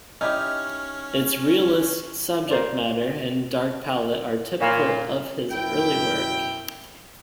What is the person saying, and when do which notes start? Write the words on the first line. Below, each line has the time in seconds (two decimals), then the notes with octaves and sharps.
Its realist subject matter and dark palette are typical of his early work.
0.21 C#4 D#4 E4 G4 D5 D#5 F6
2.49 A#4 C5 D5
4.61 A#2 C#5 F5 B5
5.51 F#2 B2 E4 G5